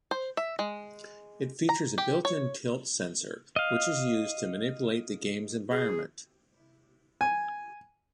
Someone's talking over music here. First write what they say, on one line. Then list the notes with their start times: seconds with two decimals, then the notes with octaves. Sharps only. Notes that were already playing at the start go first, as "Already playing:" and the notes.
It features a built-in tilt sensor, which is used to manipulate the game's environment.
0.11 C5
0.37 E5
0.59 G#3
1.69 A#5
1.98 G4
2.25 C#5
3.56 D#5 F5
5.71 G#4
7.21 G#5